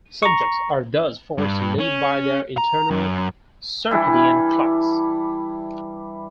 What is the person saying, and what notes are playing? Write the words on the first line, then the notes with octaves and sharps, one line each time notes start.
Subjects are thus forced to live by their internal circadian "clocks".
A#5 C#6
G2
C#4
A#5
F#2
E3 G3 D4 E4